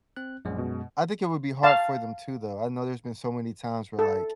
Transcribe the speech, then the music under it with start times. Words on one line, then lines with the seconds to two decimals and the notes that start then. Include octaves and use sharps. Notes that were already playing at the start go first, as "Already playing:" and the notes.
I think it would be hard for them too, though, I know there's been so many times where, like,
0.16 C4 F#6
0.45 A#1 F#2 G#3
0.58 B2
1.63 F5 A5
3.99 A4